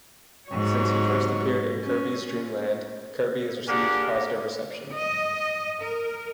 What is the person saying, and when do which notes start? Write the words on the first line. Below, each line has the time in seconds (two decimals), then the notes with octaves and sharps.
Since he first appeared in "Kirby's Dream Land", Kirby has received positive reception.
0.49 G#2 F#3 C#5
1.83 C#4
3.68 A#3 D4 G4 G#4 A#4 F#5
4.94 D#5
5.80 A#4